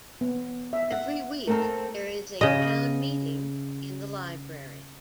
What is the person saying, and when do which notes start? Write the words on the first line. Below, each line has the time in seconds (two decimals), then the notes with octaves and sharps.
Every week there is a "Town Meeting" in the library.
0.21 B3
0.73 E5
0.92 F#5
1.47 A3 C4 A4 A#4 A#5
2.41 C#3 D#5